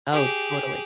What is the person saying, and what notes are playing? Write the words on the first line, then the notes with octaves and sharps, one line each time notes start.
Oh, totally.
G4 G#4